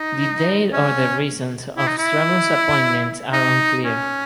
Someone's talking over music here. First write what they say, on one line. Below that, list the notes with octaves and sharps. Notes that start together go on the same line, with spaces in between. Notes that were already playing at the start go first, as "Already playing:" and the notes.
The date or the reasons of Strabo's appointment are unclear.
Already playing: D#4
C#4
E4
D#4
E4
D#4
C#4